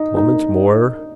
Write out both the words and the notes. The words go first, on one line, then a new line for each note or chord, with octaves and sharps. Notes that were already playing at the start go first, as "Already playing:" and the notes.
Moment more.
Already playing: D#4
D#4